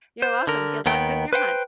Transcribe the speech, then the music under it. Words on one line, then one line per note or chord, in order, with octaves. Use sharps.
You're welcome. Good luck with your hunt.
C5
D3 A#4
D#2 D#3 B3 G5
B4 C5 F#5 G5